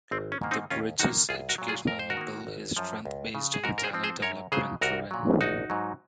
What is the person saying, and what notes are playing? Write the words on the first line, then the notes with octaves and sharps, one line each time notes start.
The Bridges educational model is strength-based and talent-development driven.
G#1 C4
C#4
G#2 D#3 A#3
C4 D#4
D#2 C#4 F4
D#3 A#3 D#4 F#4
C2 F4 G#4
F#4 A#4
A#2 F#3
F4 G#4
F2 A#4
C5
F#4 A#4
D#3 A#3
G#1
F#2 F3
C#2
C#3 F3
G#4
G#2 F#4 A#4
A#4
G#4 C5
F3 C4
G#4 C5
F#2 A#4 C#5
C#3 F#3 G#4 C5
C2 F#4 A#4
A#2 F#3
A#1 D#4 F#4
G#2 F#3